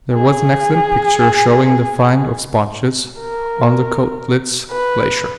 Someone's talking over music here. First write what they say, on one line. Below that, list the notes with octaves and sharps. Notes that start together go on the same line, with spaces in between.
There was an excellent picture showing the find of sponges on the Koettlitz Glacier.
G#4
A#4
B4